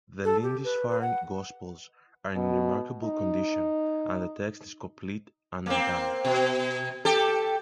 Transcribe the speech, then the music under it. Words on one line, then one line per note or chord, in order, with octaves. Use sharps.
The Lindisfarne Gospels are in remarkable condition and the text is complete and undamaged.
A4
G4
B4
B4
F#5
B2
D#4
A#3 C4
B2
G4 A4